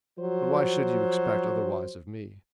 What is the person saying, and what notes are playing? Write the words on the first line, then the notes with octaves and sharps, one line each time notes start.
But why should you expect otherwise of me?
F3 F#3 F#4 C5